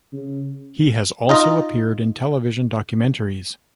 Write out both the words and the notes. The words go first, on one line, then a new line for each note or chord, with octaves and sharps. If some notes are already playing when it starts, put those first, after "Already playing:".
He has also appeared in television documentaries.
C#3
D#4 F4 D#5